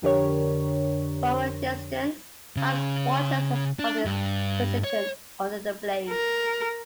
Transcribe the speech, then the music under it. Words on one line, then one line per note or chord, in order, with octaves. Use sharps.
From a distance, Hans watches as his father is positioned under the blade.
F2 D3 D4 G4 A#4 C#5
C#3
D4
G2
C#5
A#4